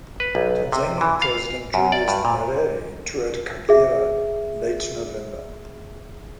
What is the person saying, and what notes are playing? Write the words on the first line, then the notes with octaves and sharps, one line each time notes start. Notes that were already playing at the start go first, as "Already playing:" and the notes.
Tanzanian President Julius Nyerere toured Kagera in late November.
B4
B1
C3
E3
F5
F#2
D5
G2
A#2
G#4 E5